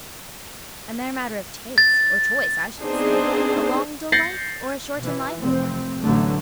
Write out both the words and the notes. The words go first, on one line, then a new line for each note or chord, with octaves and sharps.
"A mere matter of taste, or choice, I should say--a long dull life, or a short and lively one."
A6
B3 C4 D4 D#4 G#4 C5
G6 A6 A#6 C7 C#7 F#7
B2 E3
F1 C4
A1 D3 F#3 A3